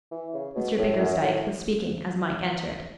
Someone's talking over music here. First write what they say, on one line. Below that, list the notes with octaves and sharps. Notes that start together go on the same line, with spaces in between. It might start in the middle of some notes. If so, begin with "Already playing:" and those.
Mr Bickersdyke was speaking as Mike entered.
E3
C#3
B2
A2
F#2
A2